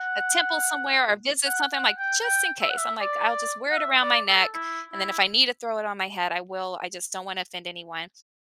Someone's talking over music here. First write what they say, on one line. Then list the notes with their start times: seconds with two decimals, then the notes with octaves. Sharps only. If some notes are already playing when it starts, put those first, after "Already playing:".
a temple somewhere or visit something," I'm like, "Just in case," I'm like, "I'll just wear it around my neck, and then if I need to throw it on my head, I will, I just don't wanna offend anyone."
Already playing: F#5
1.46 F#5
1.72 F#5
1.98 G5
2.24 G5
2.61 E5
2.70 F#5
2.78 E5
3.01 D5
3.71 F#5
3.77 E5
4.02 D5
4.29 A4
4.54 E4
4.92 E4